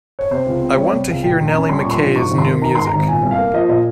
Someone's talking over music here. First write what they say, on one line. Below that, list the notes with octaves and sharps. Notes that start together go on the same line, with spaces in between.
I want to hear Nellie Mckay's new music.
C#5
C3 C5
C#2
C4
G3 C#5
C3
C#2
A#2 G5
A#1
A#5
C#4
G3 C6
A#2 C#6
C6
A#1
G#2 C#6
G#1
C6
A#3
D#3 A#5
G#2 C6
A#5
G#1
A#2 G#5
C2
F5
A#3
F3 D#5
A#2 D#5